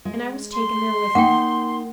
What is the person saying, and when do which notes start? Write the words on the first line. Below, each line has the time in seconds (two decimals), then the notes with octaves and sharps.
And I was taken there with him.
0.05 G#3
0.53 C6
1.15 A#3 D#4 F#5 G5